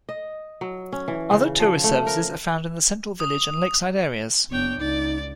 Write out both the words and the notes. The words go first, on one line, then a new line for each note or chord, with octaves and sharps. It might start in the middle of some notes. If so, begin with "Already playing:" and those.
Other tourist services are found in the central village and lakeside areas.
D#5
F#3
C#4
E3
C#3
F3
A3
A#4
D#6
F#1 B3 D4 C#5 G5
C#2 D#4 D5